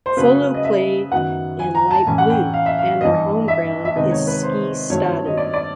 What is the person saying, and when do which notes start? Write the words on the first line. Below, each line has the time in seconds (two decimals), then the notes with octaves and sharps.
Follo play in light blue, and their home ground is Ski stadion.
0.06 C5
0.17 C#3 F#3 A3 C#4 B4
0.54 D#5
0.64 E5
1.12 F#2 D#3 F#3 B3 F#5
1.59 G#5
1.75 A#5
1.91 A5
2.07 A2 E3 A3 C#4 G#5
2.18 F#5
2.30 G5
2.53 F5
2.66 E5
2.79 F5
3.00 G2 E3 G3 B3 D#5
3.48 E5
3.85 E5
3.95 C3 D#3 G#3 B3 D#5
4.11 C#5
4.27 B4
4.43 C5
4.90 G2 D#3 F#3 A3 C4 C#5
5.26 D#5
5.37 D5
5.53 D5